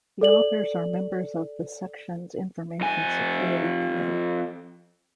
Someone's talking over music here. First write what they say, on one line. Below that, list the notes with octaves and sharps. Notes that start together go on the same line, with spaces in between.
The authors are members of the Section's Information Security Committee.
A4 D5 F#7
F2 G#5